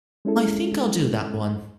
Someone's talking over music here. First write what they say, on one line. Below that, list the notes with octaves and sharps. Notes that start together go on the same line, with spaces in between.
I think I'll do that one.
G#3 C#4 E4 A4